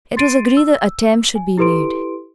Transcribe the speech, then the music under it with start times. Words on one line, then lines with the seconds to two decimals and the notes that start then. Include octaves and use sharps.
It was agreed the attempt should be made.
0.17 C6 A6 C7 D7 D#7
0.57 E6
1.35 G#5
1.58 E4 G4 A4 B4 C6 D7